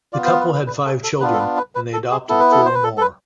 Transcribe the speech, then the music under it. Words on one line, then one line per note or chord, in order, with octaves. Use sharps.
The couple had five children, and adopted four more.
B3 F4 D5
C5
B4
B4
B4
A4
A4
B3 D4 F4 B4
A4
B4
B4
B4
A4
G#4
B3 E4 A4
B4
A4
C5
B4
A4
A4
B4